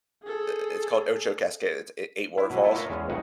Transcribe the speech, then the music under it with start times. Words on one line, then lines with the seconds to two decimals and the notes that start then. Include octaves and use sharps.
i i it's called Ocho Casca it's eigh eight waterfalls.
0.23 G#4 A4
2.37 E4
2.50 B2 F#3
2.63 B3 E4 A4
2.75 A3 F4 A#4 C#5 D#5 E5
2.90 E2 G#3 C#4
3.08 A1 F2 C#3 D#4 F#5